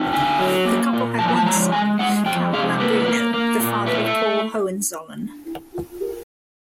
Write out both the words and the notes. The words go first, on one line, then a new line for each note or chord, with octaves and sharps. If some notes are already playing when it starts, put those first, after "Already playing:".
The couple had one son, Carol Lambrino, the father of Paul Hohenzollern.
Already playing: C4 D#4
D3 G#5
F#3
A#3
A#2
F3 A5
G#5
A5
G#3 A#5
G#3 G#5
G#3 F#5
F2 G5
C3 F5
A#3 B4
A#3
A#3
A#2
A3 B4